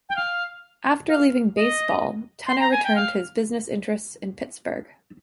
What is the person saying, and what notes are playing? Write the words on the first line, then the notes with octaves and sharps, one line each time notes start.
After leaving baseball, Tener returned to his business interests in Pittsburgh.
G5
F5
F5
D#5
C6
A#5
G#5
G5
F5